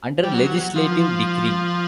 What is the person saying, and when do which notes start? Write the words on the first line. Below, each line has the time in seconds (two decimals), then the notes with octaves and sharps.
Under legislative decree.
0.24 G3
0.34 F#3
0.75 F3